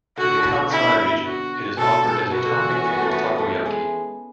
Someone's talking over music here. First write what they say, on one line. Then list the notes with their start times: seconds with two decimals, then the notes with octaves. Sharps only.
In the Kansai region, it is offered as a topping for "takoyaki".
0.17 D3 F#4
0.37 A2
0.43 B2
0.71 E4
1.24 F#4
1.77 B2 A4
1.91 B2
2.05 G#2
2.31 B2 F#4
2.45 D3
2.59 E3
2.71 C#4
2.85 B3
3.01 A3
3.12 B3
3.38 A3
3.66 G#3